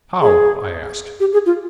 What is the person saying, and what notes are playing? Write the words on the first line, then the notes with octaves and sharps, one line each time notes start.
"How?" I asked.
G#4
G4
G#4
F4